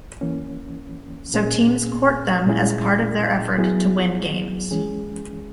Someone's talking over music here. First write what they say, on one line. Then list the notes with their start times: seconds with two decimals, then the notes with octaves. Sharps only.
So teams court them as part of their effort to win games.
0.21 E3 A#3 C#4
1.34 A#2 A#3 C#4 G#4
2.46 A#2 G#3 C#4 E4 G#4
3.58 F#3 B3 E4 G#4
4.71 E3 G#3 C#4 G#4